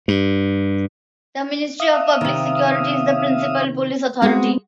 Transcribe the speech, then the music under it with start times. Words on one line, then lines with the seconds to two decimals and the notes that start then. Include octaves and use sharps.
The Ministry of Public Security is the principal police authority.
0.08 G2
1.80 E5 F5 D#6
2.21 C3 D#3
4.22 G#3 B3 C4 F#4 G#4